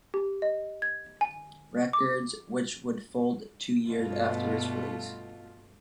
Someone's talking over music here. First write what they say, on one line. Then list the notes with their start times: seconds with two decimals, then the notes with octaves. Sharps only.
Records, which would fold two years after its release.
0.14 G4
0.42 D#5
0.82 G#6
1.21 G#5
1.93 D6
3.87 G2 B2 A3 F4